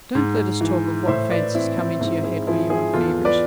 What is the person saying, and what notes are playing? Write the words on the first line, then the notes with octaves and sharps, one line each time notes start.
'Don't let us talk of what fancies come into your head when you are feverish.
G#2
E3
A2 C5 E5
B4 D5
E3 C4 E4
C4
G#2 C4 E4
E4 G#4
F3 E4 G#4
E4 G#4
E2 F4 A4
B4 D5